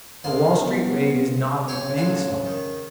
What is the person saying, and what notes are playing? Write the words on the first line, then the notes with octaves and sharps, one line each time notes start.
A Wall Street raid is not a fang slash.
C2 A#3 C6
B3
C#3 C#5 G5 C6
A1 D4 G#5
D#3